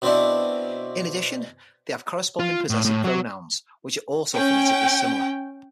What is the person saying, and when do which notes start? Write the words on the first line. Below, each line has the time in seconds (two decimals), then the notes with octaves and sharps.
In addition, they have corresponding possessive pronouns, which are also phonetically similar.
0.02 B2 C4 D4 E4
2.39 F4
2.70 A2
2.85 A2
3.04 F#3
4.36 C#4 G5